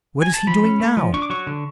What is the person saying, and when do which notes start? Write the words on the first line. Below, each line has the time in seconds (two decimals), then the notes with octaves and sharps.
What is he doing now?'
0.22 G#5
0.34 A5
0.47 F3 B5
0.64 C#4
0.80 A3
0.97 F3
1.14 D4 C#6
1.22 D6
1.30 F#3 C#6
1.47 D3